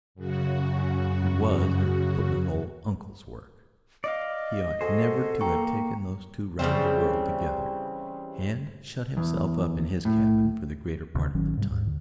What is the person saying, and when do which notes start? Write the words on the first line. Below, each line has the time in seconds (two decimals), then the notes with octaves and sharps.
It was her footling old uncle's work; he ought never to have taken those two round the world together and shut himself up in his cabin for the greater part of the time.
0.15 F#2 C#3 F#4
4.04 D5 D#5 F5
4.81 F#4 G#4 A4 C5
5.41 A#3 G5 A#5 C#6
6.59 C#3 E3 G3 C4
9.17 E2
10.05 A2
11.15 D2 C3
11.34 A1 D#3 F#3 C#4
11.57 G#2 C3 G3
11.70 D#2 G#2
11.86 D#2 D3